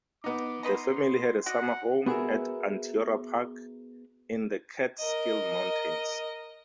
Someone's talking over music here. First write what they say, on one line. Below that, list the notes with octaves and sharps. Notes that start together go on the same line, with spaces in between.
The family had a summer home at Onteora Park in the Catskill Mountains.
B3 D#4 D6
B4 D#5 A#5 C6
F#4 D5 D#5 F#5
B3 F#4 G#4 A#4 E5
A#4 D#5